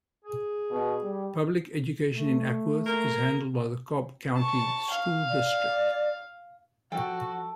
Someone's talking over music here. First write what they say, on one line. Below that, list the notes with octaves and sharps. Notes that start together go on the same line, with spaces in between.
Public education in Acworth is handled by the Cobb County School District.
G#4
B2
G3
A3
A#3
A5 C#6
F5
D5
F3 F#4 A4 G5